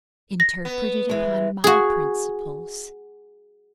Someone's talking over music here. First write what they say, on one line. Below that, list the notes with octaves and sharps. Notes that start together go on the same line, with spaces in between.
Interpret it upon My principles.
A#6
B3
E3 G#3
F#4 G#4